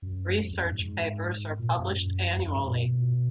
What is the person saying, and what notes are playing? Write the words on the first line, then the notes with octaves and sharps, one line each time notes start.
Research papers are published annually.
F#2
F#2
F2
F#2
G#2
A#2
F#2
F2
F#2
G#2
A#2
B2